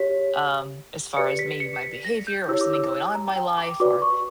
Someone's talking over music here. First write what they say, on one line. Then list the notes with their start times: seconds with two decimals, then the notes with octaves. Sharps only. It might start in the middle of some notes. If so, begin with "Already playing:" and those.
um, as far as maybe my behavior, or something going on in my life, or,
Already playing: G4 C#5 B6
1.17 G4 B4 D5 C#7
1.39 B6
1.60 C#7
1.83 B6
2.04 A#6
2.27 G6
2.48 E4 G4 C#5 E6
2.61 D6
2.74 E6
3.15 A#5
3.36 G5
3.58 D6
3.80 F#4 B4 D5 D6
4.02 C#6